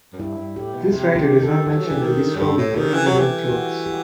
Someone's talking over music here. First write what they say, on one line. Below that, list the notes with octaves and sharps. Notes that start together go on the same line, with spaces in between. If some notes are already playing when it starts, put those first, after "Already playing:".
This writer does not mention the disrobing or any red clothes.
F#2
G2 E4
G2
A2 G4
B2
C3 G4
G4
D#3
A4
E3 A4
F#3
E3
G4
D#3
A4
F#2
G2 A4
A2
A4
D#3 G4
E3
F#3
G4
E3
F#4
G4